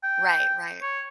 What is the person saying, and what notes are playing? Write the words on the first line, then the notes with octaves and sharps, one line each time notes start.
Right, right.
G5
C#5